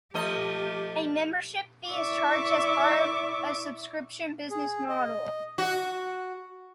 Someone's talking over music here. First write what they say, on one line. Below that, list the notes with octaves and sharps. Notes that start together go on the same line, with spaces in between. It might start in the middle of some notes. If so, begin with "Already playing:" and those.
A membership fee is charged as part of a subscription business model.
F3 A3 G4 D#5
E4 D5 E5 C#6 D6
G#4
D#5
F#4